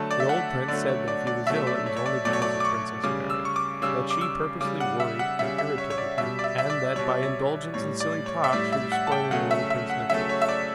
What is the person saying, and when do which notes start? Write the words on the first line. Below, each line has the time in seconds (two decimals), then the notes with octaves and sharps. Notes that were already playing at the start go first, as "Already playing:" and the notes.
The old prince said that if he was ill it was only because of Princess Mary: that she purposely worried and irritated him, and that by indulgence and silly talk she was spoiling little Prince Nicholas.
Already playing: D3 F#3 A3 A5
0.11 D5
0.20 E5
0.29 F#5
0.68 D3 F#3 A3 D5
0.88 C#5
1.08 D5
1.27 D5
1.47 B2 F#3 A3 E5
1.67 D5
1.86 C#5
1.96 C#5
2.06 D5
2.25 B2 F#3 A3 D5
2.33 C#5
2.42 D5
2.60 D6
2.65 C#6
3.03 C#3 G3 D6
3.30 E6
3.45 C#6
3.56 D6
3.82 C#3 G3 E6
4.11 D6
4.21 E6
4.61 C#3 G3 D6
4.80 F#5
5.00 E5
5.19 F#5
5.39 C#3 G3 E5
5.58 E5
5.78 C#5
5.90 C#5
5.98 D5
6.17 B2 G3 E5
6.39 D5
6.44 E5
6.58 E5
6.70 D5
6.96 B2 G3 C#5
7.23 C#5
7.74 A2 G3 C#5
8.00 D5
8.26 C#5
8.44 E5
8.53 A2 G3 D5
8.72 E5
8.92 F#5
9.07 A5
9.12 G5
9.31 C#3 F#3 A3 F#5
9.51 E5
9.70 E5
9.90 F#5
10.10 C#3 F#3 A3 E5
10.29 C#5
10.42 E5
10.49 D5